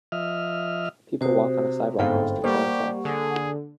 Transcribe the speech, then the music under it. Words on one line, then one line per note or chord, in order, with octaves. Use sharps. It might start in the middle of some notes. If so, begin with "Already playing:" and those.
People walk on a sidewalk next to tram tracks.
F3 D#5 E5 F6
C3 F#4 C5 D#6
G1 G#2 C4 A4 F5 G5
G3 A#3 G4 C5 F#5 C#6
D3 G#4